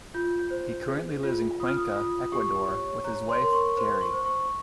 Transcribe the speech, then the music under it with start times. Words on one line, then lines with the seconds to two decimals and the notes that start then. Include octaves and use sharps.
He currently lives in Cuenca, Ecuador with his wife, Geri.
0.14 F4 G6
0.39 G6
0.51 C5
0.87 G#4
1.23 F4
1.60 F4 D#6
1.68 F6
1.77 D#6
1.96 F4
2.32 G4 C#6
2.68 C#5
3.04 C#5 A#5
3.29 C6
3.42 A#4 C6
3.53 C#6
3.77 C5 C6
4.01 C#6
4.13 C5
4.26 C#6